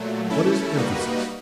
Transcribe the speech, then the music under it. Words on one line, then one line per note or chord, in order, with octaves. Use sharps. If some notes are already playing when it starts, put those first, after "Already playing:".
What is emphasis?
Already playing: A#2 F#3 A3
A3 C#4 E4 A4
G3 A#3 D#4 F#4 B4